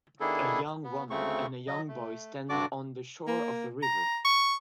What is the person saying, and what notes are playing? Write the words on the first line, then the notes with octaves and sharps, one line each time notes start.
A young woman and a young boy stand on the shore of a river.
D#3 B3 D4 E4 G#4 A4
B3
D2 C#3 A3 C4 C#6
F#3 D#5
A3
G2 D3 D4 F#4 D5 D6
A#3
A#5
C#6